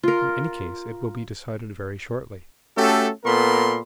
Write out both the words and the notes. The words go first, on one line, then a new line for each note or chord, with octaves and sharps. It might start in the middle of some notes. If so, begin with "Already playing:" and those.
In any case it will be decided very shortly.
F4 A#4
A3 C#4 F#4 G4 A4
A#2 B3 A4 A#4 B5 C6